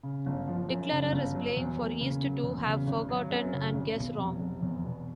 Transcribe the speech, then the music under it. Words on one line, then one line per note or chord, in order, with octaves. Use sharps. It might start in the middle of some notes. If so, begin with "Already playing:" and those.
Declarer is playing for East to have forgotten and guess wrong.
C#3
G1
F3
F#2
C#3
G1
F#3
E2
A#3
C#3
F#3
E2
C#3
G#1
F#3
F#2
C#3
G#1
B2
F1
F1
E2
B2